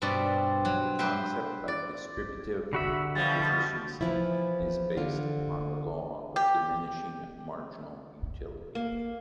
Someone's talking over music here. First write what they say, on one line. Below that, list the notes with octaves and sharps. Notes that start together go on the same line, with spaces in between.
The concept of distributive efficiency is based on the law of diminishing marginal utility.
G2 B2 C4 D5
F#3
B4 C5 E5 G5
D5
D3 F#4 E5 B5
B2 F3 G3 A6
E3 F3 E4
D3 F4
G4
A#3